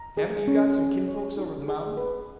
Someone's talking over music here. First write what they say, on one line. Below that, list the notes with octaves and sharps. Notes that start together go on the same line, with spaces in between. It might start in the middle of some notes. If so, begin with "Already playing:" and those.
"Haven't you got some kinfolks over the mountain?"
Already playing: A#5
G#4
C#4
G#4
C#5
D#4
G#4
B4